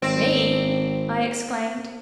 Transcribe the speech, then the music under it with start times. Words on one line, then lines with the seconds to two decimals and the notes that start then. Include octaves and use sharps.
"Me!" I exclaimed.
0.02 G#1 C4